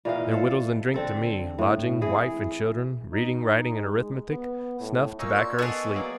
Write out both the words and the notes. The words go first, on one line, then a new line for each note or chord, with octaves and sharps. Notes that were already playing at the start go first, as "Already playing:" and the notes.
They're wittles and drink to me--lodging, wife, and children--reading, writing, and Arithmetic--snuff, tobacker, and sleep.'
A#2 E3 D#5 F5
A4 C5
D3 C4 A4
A2
E3 G#4
D#4
G#3
B3
A2
A#3 C#4 D#4 F4 A#4 C#6 E6
D5 C6 C#6
B3 G#4 A4 B4 D5 D#5 C#6
F#3 A#3 D5